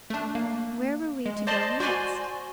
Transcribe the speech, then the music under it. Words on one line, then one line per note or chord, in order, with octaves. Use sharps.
Where were we to go next?
A3 D4
A#3
G#3
C5 D5 D#5 A5 C6
F#4 C5 D5 G#5 C6